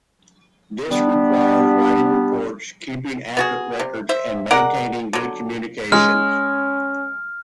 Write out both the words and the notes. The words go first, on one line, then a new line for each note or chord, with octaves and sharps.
This requires writing reports, keeping accurate records, and maintaining good communication.
G3 B3 D4
B3 F#4 G#4
C3
C5 E5
G#3 A#4 D5 F#5
D3 F#3
G#3 C#4 F6